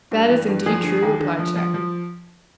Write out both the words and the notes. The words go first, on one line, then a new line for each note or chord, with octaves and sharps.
"That is indeed true," replied Shaggy.
G2
E3
G2
F3 G#4
D3
D#2
D3
F3
F3
F3